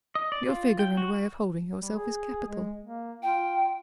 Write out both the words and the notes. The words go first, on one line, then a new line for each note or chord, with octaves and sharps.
Your figure and way of holding yourself is capital.
D#5
D5
F4
G5
F#4
G3
G#4
G#3
A#3
F4 G5